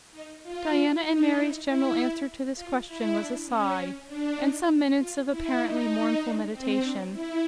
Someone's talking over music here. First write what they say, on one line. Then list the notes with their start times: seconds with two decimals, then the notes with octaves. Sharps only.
Diana and Mary's general answer to this question was a sigh, and some minutes of apparently mournful meditation.
0.12 D#4
0.43 F4
1.03 D#4
1.34 E4
1.64 E4
1.94 E4
2.55 F4
2.85 E4
3.16 D4
3.46 C#4
4.07 D4
4.37 D#4
4.98 F4
5.28 E4
5.59 D#4
6.19 D4
6.50 C4
6.80 D4
7.10 E4